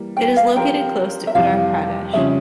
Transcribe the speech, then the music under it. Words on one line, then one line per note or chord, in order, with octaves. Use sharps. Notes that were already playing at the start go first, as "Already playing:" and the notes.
It is located close to Uttar Pradesh.
Already playing: E3 G3 A#3
G5
F5
F3 C4 G4 A#4 G5
E5
F2 C3 E3 G3 F5
F2 C#3 G3 C#4 F4 E5